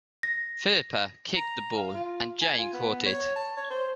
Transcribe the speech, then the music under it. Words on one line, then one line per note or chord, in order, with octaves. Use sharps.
Philippa kicked the ball, and Jane caught it.
A#6
A#5
F5
F4
G#5
F4
B3
C#5
A5
C#5
C5